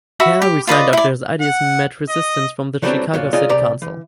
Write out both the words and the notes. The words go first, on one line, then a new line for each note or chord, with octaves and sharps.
Taylor resigned after his ideas met resistance from the Chicago City Council.
F#4 E5 B5
G4
F4 B4 D5 D#5
E4 D5
F#5
D#5
E3 F#3 G3 A3 C4 D4
F2 A#2 F#3
F#3 G#3 F4 D5 D#5 G#5
C2 G4 D5 A#5
E3